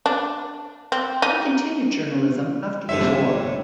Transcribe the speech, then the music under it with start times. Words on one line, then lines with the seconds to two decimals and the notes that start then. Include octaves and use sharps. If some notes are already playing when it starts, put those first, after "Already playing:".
He continued journalism after the war.
0.06 D4
0.92 C4
1.22 D#4
2.89 G1 C3 A3 C4 C#5 E5